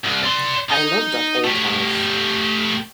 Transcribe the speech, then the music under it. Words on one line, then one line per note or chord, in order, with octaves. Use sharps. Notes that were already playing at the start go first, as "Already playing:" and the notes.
I love that old house.
C2
D5 C6
D#4
A3 G4